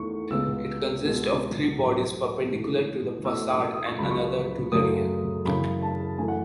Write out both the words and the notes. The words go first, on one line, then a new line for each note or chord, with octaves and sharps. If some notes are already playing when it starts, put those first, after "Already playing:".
It consists of three bodies perpendicular to the facade and another to the rear.
Already playing: E2 D#3 A3 C#6
C#2 C#3 G#3 B3 E6
C#2 B2 G#3
A2 F#3 A3
G#2 E3 A3
E2 B2 A3 E6
D#6
D#6
C#6
C#2 C#3 F#3 B5
C#6
F#2 C#3 F#3 A3 D#6
F#2 C#3 E3 B5
A5
F#2 E3 A3 G#5
F#5